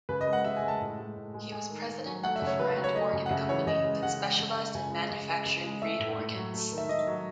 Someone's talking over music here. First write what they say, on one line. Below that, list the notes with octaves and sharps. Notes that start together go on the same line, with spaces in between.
He was president of the Farrand Organ Company that specialized in manufacturing reed organs.
C#3 B4
D#5
G#3
F#5
C#3 E5
G#5
G#3
A5
A2
G#3
A2
G#3
A3 G#5
D#3
D#3
F#3
A3 F#5
E5
C#3
C#5
C#3 B4
B4
F#3
C#5
A3 D#5
C#3
F#5
C#3 E5
E3 C#5
C#3 D#5
G#3
C#3 F#5
G#3
C#3
G#3
C#3 G#5
G#3
C#3
G#3
C#3
G#3
A3 E5
A2
A2
F#3
A3
D#3
E5
D#3 D#5
F#3